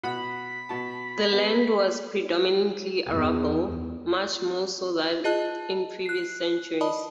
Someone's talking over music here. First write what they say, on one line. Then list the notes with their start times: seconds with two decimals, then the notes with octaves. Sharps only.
The land was predominantly arable, much more so than in previous centuries.
0.03 B2 F#5 B5
0.69 B2 A5
1.33 B3
3.10 E2
5.24 F4 G#4 D#5 A5 F#6
6.06 F#6 C7
6.81 D5 D#5 A5 B5 D#6